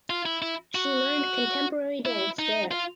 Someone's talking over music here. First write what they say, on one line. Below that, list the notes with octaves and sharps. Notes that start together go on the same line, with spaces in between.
She learned contemporary dance there.
F4
E4
E4
F#4
E4
D#4
F4